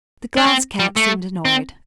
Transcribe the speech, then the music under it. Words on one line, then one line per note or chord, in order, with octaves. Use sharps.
The Glass Cat seemed annoyed.
D4
C4
G3
A3
C4